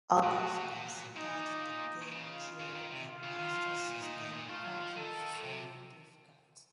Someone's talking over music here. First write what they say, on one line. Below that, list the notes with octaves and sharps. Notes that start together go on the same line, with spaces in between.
Others considered the Game Gear and Master System versions too difficult.
A#2 F#4
A#2
C3
A#2
A#2 D#4
C#3 F4
C#3
D#3
C3
F4
C#3
D#3
F3
D#3
A#2
A#2
A#2 D#4
A2
A#2
A3 F4
F#3
F3
D#3 A4
C3